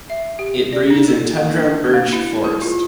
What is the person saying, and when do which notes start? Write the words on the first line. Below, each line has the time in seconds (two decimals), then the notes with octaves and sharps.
It breeds in tundra birch forest.
0.10 E5
0.39 G4
0.73 D5
0.90 D#4
1.08 A4
1.37 A#3
1.56 D4
1.94 A#3
2.13 E4
2.44 G#4
2.62 F4